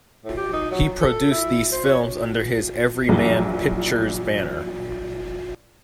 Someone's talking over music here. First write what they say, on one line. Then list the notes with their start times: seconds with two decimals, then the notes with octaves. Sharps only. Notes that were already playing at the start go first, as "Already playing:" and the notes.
He produced these films under his Everyman Pictures banner.
0.25 A2
0.37 G4
0.53 D#4
0.71 F#3
1.01 A4
1.31 E4
1.72 C5
1.85 C#5
3.09 A#1 F#2 A#2 E3 A#3